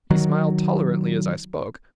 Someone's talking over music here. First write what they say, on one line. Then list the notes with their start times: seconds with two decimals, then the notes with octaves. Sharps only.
He smiled tolerantly as I spoke.
0.10 D#3 F#3